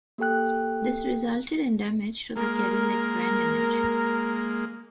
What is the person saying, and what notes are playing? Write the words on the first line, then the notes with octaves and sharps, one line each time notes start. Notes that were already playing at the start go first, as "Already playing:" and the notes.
This resulted in damage to the Cadillac brand image.
A#3 G4 A4 G5 F#6
G#3 A#3 A#4